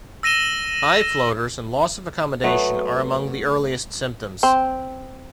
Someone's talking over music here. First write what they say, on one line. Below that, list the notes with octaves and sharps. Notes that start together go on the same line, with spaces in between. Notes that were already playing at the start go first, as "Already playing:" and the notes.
Eye floaters and loss of accommodation are among the earliest symptoms.
E6 A#6 D#7 E7 G7
F#3 A3 B3
C4